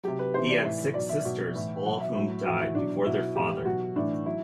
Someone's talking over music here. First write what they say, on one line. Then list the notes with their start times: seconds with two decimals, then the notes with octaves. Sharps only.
He had six sisters, all of whom died before their father.
0.03 C3 F#3 G4
0.19 B4
0.34 C3 E3 C5
0.49 D5
0.65 A2 E3 E5
0.94 B2 F#3 D5
1.09 E5
1.25 B2 F#3
1.55 A2 E3
1.85 B2 F#3 F#5
2.00 E5
2.15 A2 F#3
2.45 A2 E3 F#4
2.60 E4
2.75 B2 F#3 D4
3.06 B2 F#3 E4
3.35 A2 E3 G4
3.65 B2 F#3 F#4
3.96 A2 E3 D4
4.26 F#3 E4